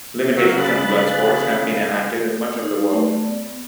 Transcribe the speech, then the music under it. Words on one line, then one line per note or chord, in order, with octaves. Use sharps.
Limitations on blood sports have been enacted in much of the world.
F#3 F5 C#6
C#3 B5 F#6 A6
D#4
A3
D5
B3